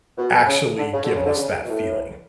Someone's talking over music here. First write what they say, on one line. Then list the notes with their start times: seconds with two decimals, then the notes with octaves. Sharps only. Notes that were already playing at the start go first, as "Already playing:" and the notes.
actually give us that feeling.
0.18 B2
0.47 C#3
0.78 D3
0.93 C#3
1.03 D3
1.15 C#3
1.25 D3
1.36 C#3
1.65 B2
1.69 A2